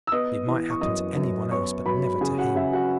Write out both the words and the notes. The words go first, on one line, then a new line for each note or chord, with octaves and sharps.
It might happen to any one else, but never to him!
E6
B3 D#5 D#6
E3
C#6
F#2 D#5 D#6
F#2
B3 C#5 C#6
F#3 B4 B5
C#3 G#4 G#5
F#4 F#5
C#3 E5
F#4 F#5